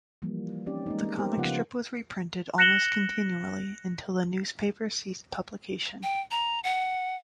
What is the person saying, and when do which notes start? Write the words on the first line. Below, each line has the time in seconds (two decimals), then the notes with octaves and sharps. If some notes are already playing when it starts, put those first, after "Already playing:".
The comic strip was reprinted almost continually until the newspaper ceased publication.
0.22 E3 F3 G3 A#3
0.66 C4 C#4 D#4 G4 D5
0.86 G#3 A#3 D#4
1.18 B3 G4 A#4 C5
1.37 C#3 F3 B3 F4 F#5
2.58 F#6 A#6 C#7 E7 F#7 G7
6.03 G5
6.31 A#5
6.64 F#5